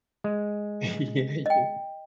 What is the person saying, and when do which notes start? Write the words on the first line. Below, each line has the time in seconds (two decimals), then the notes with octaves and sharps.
Yeah, yeah.
0.24 G#3
1.46 D#5 G5